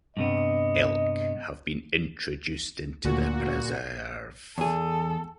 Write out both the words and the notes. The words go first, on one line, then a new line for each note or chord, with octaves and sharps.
Elk have been introduced into the preserve.
G2 C3 B3 D#5
D2 A#2 F#4
E2 G#4 A4